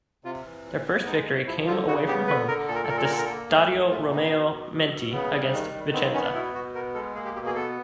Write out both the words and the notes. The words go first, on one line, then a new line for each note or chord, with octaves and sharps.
Their first victory came away from home at the Stadio Romeo Menti against Vicenza.
C3 F4
E3
A#2
B3
G#3 D#4
B2
F3 E4
D3 F4
C#3 F#4
B3 G4
D3 B4
D3 A#4
A#2 A4
A#4
A4
A#2 A#4
A4
A#4
D3 A4
A#4
A4
A#3
A2 G#4
A3
A#2 F4
B3 D#4
B2
B2
B2
B2
C#3 B3
G3
D#3
D#3
B3 C4
C4
B3 C#4
D4
B2 E4
B2 F#4
B3 A#4
G#3 A4
A#3 G#4
G4
B2 G4
G#4
B3 A4